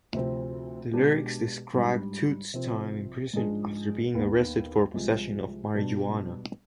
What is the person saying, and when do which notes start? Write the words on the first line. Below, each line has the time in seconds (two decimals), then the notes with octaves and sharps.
The lyrics describe Toots' time in prison after being arrested for possession of marijuana.
0.13 D2 C3 F3 C4
0.93 B2 G#3 D4 G4
1.73 G#2 G3 D4
2.54 C3 F3 C4
3.33 G#2 F3 G#3 D4 G#4
4.14 D#2 D#3 B3
4.94 C2 C3 F3 G#3
5.74 B2 G3 D4